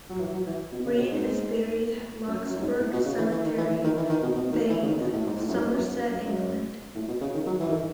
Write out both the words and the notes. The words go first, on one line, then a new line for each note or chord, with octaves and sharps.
Reade is buried at Locksbrook Cemetery, Bath, Somerset, England.
F#3
E3
F#3
E3
B2
C#3
B2
G#2
F#2
F#2
F#2
G#2
A2
B2
C#3
E3
E3
D#3
E3
E3
D#3
E3
D#3
B2
B2
D#3
E3
C#3
D#3
B2
A2
G#2
A2
F#2
G#2
F#2
F#2
F#2
A2
B2
C#3
D#3
F#3
E3
D#3
E3